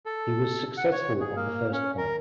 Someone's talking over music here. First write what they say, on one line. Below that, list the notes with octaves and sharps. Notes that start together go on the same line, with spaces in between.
He was successful on the first point.
A4
F#5
C#5
G#4
A#3
C#4
A#4